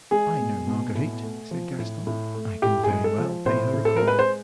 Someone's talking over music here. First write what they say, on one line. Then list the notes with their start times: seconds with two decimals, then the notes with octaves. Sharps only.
"I know Marguerite," said Gaston; "I can very well pay her a call."
0.11 G#3 G#4
0.39 B2
0.67 B2
0.95 A2
1.23 A3
1.51 F3
1.79 A2
2.07 A2
2.34 A3
2.62 A2 G4
2.84 G#4
2.90 G#3
3.04 A4
3.18 F3
3.46 A2 C5
3.73 A2
3.85 A4
3.96 A#4
4.02 G#3
4.08 B4
4.19 C5